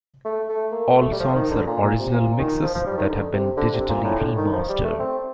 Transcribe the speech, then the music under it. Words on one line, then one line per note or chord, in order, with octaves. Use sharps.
All songs are original mixes that have been digitally remastered.
A3
A3
A#3
A3
G3
F3
D#3
D3
A#2
A#2
C3
A#2
D#3
F3
F3
G3
D#3
D3
C3
D3
C3
A#2
A2
D3
D#3
F3
G3
A3
C4